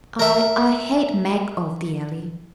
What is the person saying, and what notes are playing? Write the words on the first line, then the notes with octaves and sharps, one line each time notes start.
I--I hate Mag of the Alley.
A#4 E5